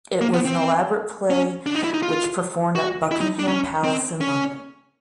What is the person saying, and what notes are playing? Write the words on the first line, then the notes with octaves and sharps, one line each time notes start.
It was an elaborate play which performed at Buckingham Palace in London.
A#3
B3
C4
C#4
D4
D#4
E4
D#4
F4
F#4
E4
D#4
D4
C#4
C4
C#4